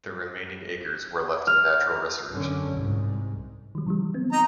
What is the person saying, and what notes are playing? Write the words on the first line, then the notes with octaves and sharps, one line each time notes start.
The remaining acres were left to natural restoration.
F6
F#2 D3 C#4
C2 G#2
D#3 F#3
C#3 E3 G3
B3 C4
D#4 A#5